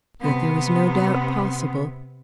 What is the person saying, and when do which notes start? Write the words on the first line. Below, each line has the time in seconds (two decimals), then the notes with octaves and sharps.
Yet there was no doubt possible.
0.21 C3 B3